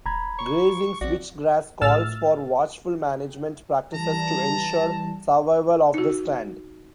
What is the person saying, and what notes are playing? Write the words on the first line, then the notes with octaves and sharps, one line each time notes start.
Grazing switchgrass calls for watchful management practices to ensure survival of the stand.
D#1 A#5 B5 G#6
C#6
A#1 C4 F#4 D5
A#1 A2 E6 F6 A6
E3 G3 A5 A#5
D#4 F#4